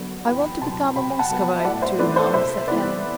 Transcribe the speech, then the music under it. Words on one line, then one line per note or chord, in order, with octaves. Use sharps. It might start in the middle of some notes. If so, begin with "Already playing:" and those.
"I want to become a Moscovite too, now," said Helene.
Already playing: F#2 D3 F#3 B3
E2 G5 B5
C3 F#3 A5 C6
C3 G5 B5
F#5 A5
F#3 B3 G5
F#5 A5
E5
A2 D5 F#5
C5 E5
E3 A3 C4 B4 D5
A4 C5
C3 C5 E5
E3 B3 B4 D5